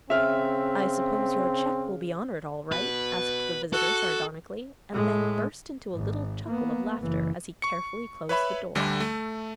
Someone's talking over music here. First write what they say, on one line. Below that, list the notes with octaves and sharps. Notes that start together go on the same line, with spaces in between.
"I suppose your cheque will be honoured all right?" asked the visitor sardonically, and then burst into a little chuckle of laughter as he carefully closed the door.
C#3 C4 E5 F6
B2 B4
F#4 A4
A2 G#3
G#1
A#3 B3
F#1 E3
C#6 C#7
B4 C#5 E5 B5
D2 D3 G3
A3